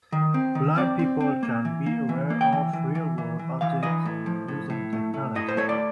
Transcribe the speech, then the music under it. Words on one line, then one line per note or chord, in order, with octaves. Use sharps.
Blind people can be aware of real world objects using technology.
D#3
C4
D#3
C4 D5
C4
C4
A#3
E3
A#3
E3
A#3
G5
E3
E3
E3
E3
E3
E3 F5
E3 D#5
A2
F3
A2
A2
A3
A3
A2 D#5
C5
A3 C#5
D5